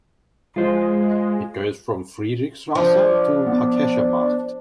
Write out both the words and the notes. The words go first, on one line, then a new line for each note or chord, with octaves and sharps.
It goes from Friedrichstraße to Hackescher Markt.
G#3 F4 C5
F3 D4
B3